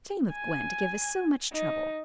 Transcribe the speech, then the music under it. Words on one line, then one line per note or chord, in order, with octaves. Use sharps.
Shame of Gwen to give us so much trouble!
G#5
D#4